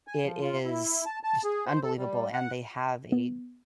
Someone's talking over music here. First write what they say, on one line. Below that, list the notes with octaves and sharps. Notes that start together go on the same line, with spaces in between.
it is just unbelievable, and they have a
G#5
F3
F4
E4
A5
A5
G#4
C5
A4
G3
F#5
B3